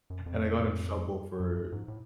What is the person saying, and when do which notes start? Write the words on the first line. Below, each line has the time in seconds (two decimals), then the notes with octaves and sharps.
And I got in trouble for
0.10 F#2
0.26 F2
1.40 F#2
1.55 F#2
1.72 G#2
1.88 A2